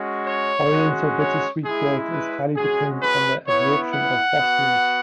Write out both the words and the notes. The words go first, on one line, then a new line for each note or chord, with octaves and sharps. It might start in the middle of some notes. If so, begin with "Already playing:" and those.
Oriental bittersweet growth is highly dependent on the absorption of phosphorus.
Already playing: G#3 C#4 F#4
C#5
G#3 C#4 F#4
C#5
G#3 E4 G#4
B4
G#3 C#4 F#4 G#4
B4
B3 E4 C#5
F#5
B3 F#4